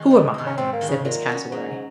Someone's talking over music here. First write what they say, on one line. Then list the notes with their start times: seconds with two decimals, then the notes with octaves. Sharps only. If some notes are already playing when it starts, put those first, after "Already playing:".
"Who am I?" said Miss Cassewary.
Already playing: D#3 G#3
0.11 G#2
0.34 D#3 G#3
0.46 C#4
0.57 G#2 C4
0.73 A#3
0.81 D#3 G#3
0.89 C#3
1.04 A#2 F#3
1.28 C#4 F#4 C#5
1.52 G#2 F#3